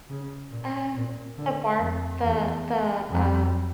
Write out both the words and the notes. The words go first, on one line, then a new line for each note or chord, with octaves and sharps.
Um, The Barb the the, um,
C#3
A#2
A#2
D3
F2
E2
F2